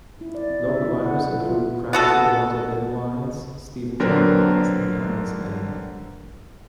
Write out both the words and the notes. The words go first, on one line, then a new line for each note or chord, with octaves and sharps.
Local wineries include Crabtree Watervale Wines, Stephen John Wines and Annie's Lane.
E4
D5
C4
E5
E4
F#5
B4
A4
F4
B3 F#4 A4
D3 F#3 C4 D4 A#4 B4